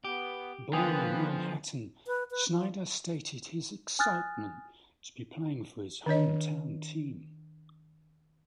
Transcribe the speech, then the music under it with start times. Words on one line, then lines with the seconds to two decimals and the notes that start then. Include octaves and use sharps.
Born in Manhattan, Schneider stated his excitement to be playing for his hometown team.
0.05 B3 G4
0.73 D3 F3 A#3 B3 B4 G5 G#5 D#6
2.07 B4
2.31 B4
2.51 F3
3.99 G#5 D#6 F6 F#6 A6
6.06 D#3 D4 C#5 D#5